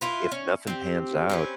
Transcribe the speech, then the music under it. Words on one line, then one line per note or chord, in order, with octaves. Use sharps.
if nothing pans out,
E4 F4 B4
C#4
C4 G4
C4 C#4 B4